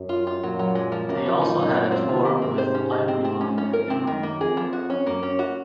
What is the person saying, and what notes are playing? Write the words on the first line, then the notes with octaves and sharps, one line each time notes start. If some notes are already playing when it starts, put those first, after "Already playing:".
They also had a tour with Ivoryline and Emery.
Already playing: F#2
F4
F4
F#2 A#2 F#3
F#3
G#3
F3
F#2 A#3
F3
F#2 A#2 D#4
D#4
C4
C4
C3 D#3 F4
A#3
G#2 C3 C4
C5
C#4
D#5
C4
C4
F2 G#2 C#4
C#4
A#4
C4
F#2 D#3
A#3
F2 G#4
F3
F#4
C#4
F#2 A#3
C#4
F#4